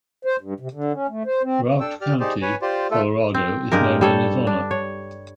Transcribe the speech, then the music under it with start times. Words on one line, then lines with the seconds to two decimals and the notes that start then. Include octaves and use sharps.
Routt County, Colorado is named in his honor.
0.25 C5
0.41 G2
0.60 C3
0.74 D3
0.93 C#4
1.09 A3
1.26 C5
1.43 C4
1.80 D4 A4 G5 E6
2.01 G4 D5 F6
2.20 D#4 G4 G#4 C5 D5
2.42 B4 C#5 G#5
2.62 F4 G4 C5 D5
2.91 A3 F4 A4
3.34 C4
3.72 G2 G#3 G4 A#4
4.01 G3 A4 C#5
4.47 D4
4.71 C#5